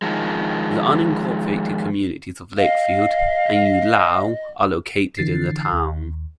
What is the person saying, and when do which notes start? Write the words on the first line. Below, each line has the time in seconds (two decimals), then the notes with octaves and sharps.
The unincorporated communities of Lakefield, and Ulao are located in the town.
0.02 D#3 F3 G#3
2.57 D#5 F5
5.17 D3 E3 A6 C7
5.73 D#2